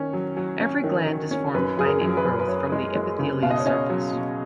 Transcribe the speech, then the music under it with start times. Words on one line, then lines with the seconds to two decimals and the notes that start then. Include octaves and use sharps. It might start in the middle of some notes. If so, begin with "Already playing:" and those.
Every gland is formed by an ingrowth from an epithelial surface.
Already playing: D#3 C#4
0.13 F#3
0.37 F#3
0.60 C#4
0.84 D#3
1.07 D#3
1.31 C#4
1.54 F#2 B4
1.77 F#2 G#4
1.86 A#4
2.01 F#2
2.17 B4
2.25 F#2
2.40 B4
2.48 F#2 C#5
2.72 G#3
2.95 G#3
3.19 C#3
3.42 B2 F5
3.51 D#5
3.59 C#5
3.66 C#4 D#5
3.90 F#3
4.13 B2